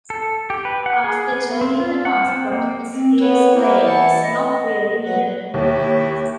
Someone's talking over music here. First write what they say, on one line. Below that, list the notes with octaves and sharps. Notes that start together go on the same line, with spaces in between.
After joining the mass protest, he explained: It's not really needed...
A4
G4
B4
F#5
G#4
B3
C4
F4
F#5
C4
A#3
C4
B3 B4 C#5
A#3 B3 E4 C5
E3 E4 F#5 A5
B3 D#5
F#3 B4 F#5
D#2 E4 G4 C#5